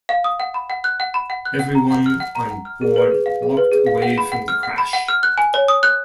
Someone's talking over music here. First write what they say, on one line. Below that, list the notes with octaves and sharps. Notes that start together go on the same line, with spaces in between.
Everyone on board walked away from the crash.
F5
D#6
F#5
B5
F#5
F#6
F#5
B5
F#5
F#6
F#5
A#5
F#5
F6
F#5
A#5
F#5
F6
G#4
B4
G#4
F5
G#4
B4
G#4
F5
F#5
B5
F#5
F6
F#5
B5
F#5
F6
F#6
G#5
C#5
D#6
F#6